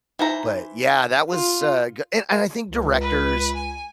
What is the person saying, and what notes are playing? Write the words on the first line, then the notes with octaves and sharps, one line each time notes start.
But, yeah, that was, uh, g and and I think directors,
E3 D#4 C5 A#5
F4
C#2
B4
G#5